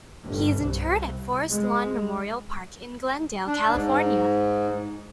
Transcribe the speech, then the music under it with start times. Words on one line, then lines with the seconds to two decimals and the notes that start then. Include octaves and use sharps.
He is interred at Forest Lawn Memorial Park in Glendale, California.
0.24 G1
0.58 C2
1.49 G#3
3.47 D4
3.70 G#2